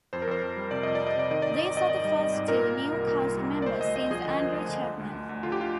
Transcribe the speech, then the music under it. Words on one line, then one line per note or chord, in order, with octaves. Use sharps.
These are the first two new cast members since Andrew Chapman.
F2 C5
A#4
F2 C5
F2
G3
C3 D5
F2 D#5
D5
F2
D#5
C3 D5
D#3 D#5
G#1 D5
D#5
G#1
D5
G#1 D#5
G#1 D5
G3
G3
G#2
A#2 A#4
A#2
A#2
C2
A#2
C2
G3
A#2
D5
D2 C5
D2 D#5
D2 D#5
F3 G#4
D3
F3
D2
D3
D3
D2
D2
D2
D3 F4
G4
F4